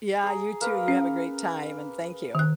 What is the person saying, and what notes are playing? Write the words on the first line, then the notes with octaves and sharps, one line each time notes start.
Yeah, you too, you have a great time, and thank you.
G#4 A#5
A#3 A#4 B4
C#4
D#3 F#6